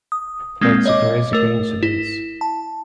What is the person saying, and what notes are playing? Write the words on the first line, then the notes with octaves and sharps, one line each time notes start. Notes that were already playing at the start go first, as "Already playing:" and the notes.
That's a crazy coincidence!
D#6
G#3 A#3 C4
C#5 D#5 D6
A3 A#4
E4
A5